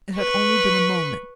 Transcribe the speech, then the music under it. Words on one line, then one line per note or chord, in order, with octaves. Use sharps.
It had only been a moment.
B4 C#6